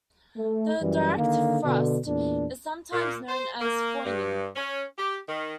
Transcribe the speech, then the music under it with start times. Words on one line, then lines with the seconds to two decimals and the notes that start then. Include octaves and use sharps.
A direct thrust is sometimes known as "foining".
0.36 A3
0.80 F#2 E3 G3
1.17 D3 D#3 A#3
1.63 B2 D3
2.06 E2 A#2 D4
2.93 A#2
3.28 C5
3.61 A#3
4.05 G2
4.56 C#4
4.98 G4
5.28 D#3